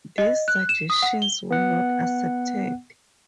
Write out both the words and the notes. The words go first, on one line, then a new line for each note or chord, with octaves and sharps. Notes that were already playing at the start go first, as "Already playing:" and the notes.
These suggestions were not accepted.
D#5
F#6
E7
D#6
F#5
G7
B3 F#5